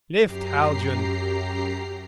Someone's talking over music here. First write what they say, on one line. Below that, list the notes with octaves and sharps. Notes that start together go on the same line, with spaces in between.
"Lift, Haljan!"
F#2 G4 A#5 C7